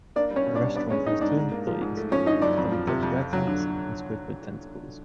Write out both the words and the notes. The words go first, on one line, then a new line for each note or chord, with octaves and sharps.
The restaurant has two employees: SpongeBob SquarePants and Squidward Tentacles.
A#3 D4 D5
G3
C#4 C#5
B2
D4 D5
C2
B3 D4 D5
G#3 C#4 C#5
D#3 D#4 D#5
G#2 D4 D5
G#2
A#3
F3
G#2
A3
F3 C#4 C#5
D3 D#4 D#5
F#2 D4 D5
F2
F3
C3
F2
F2
F#3
D3